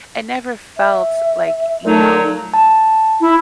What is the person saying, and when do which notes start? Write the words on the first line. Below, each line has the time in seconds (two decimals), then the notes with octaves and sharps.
It never felt like, you know
0.77 E5
1.84 A#2 F#3 A3 D#4
2.54 A5
3.21 E4